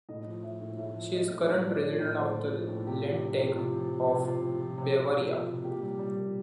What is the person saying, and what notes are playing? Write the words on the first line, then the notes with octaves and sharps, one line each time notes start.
She is current president of the Landtag of Bavaria.
A2 D#5
F3
F3 E5
A2
A2 E5
F3
F3 D#5
A2
A2 D5
C#5
F3 D5
F3
A2
A2 C5
F3
F3
A2
C3 G4
F3
F3
C3
C3 F4
F3
F3
C3
C3 F4
F3
F3
C3
C3 F#4
F3
F3
C3
A#2 G4
G3
G3
A#2